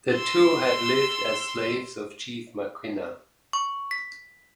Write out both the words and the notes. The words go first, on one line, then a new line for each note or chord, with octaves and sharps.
The two had lived as slaves of Chief Maquinna.
C6 E6
C#6
B6